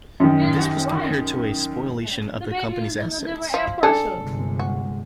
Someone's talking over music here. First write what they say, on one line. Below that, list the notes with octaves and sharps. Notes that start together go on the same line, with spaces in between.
This was compared to a spoliation of the company's assets.
F#2 D#3
F3
D4 G#4 A4
G1 C3 G#3
F#4